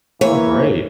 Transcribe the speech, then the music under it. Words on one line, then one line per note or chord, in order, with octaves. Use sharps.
Oh, great.
E3 A#3 C#5